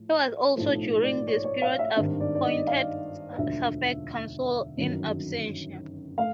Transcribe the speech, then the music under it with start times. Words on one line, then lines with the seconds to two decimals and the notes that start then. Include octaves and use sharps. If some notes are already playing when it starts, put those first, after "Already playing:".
He was also during this period appointed suffect consul "in absentia".
Already playing: A2 F3 A3
0.56 B1 A2 F3 A3 C5
1.03 D5
1.27 C#5
1.44 C#5
1.62 F5
1.79 E5
1.97 G#1 G2 D#3
2.20 D5
2.35 D5
2.43 D#5
2.67 F5
3.37 E1 D2 D3 F3 E5
4.77 G1 F#2 D#3 F#3
6.18 A3 F5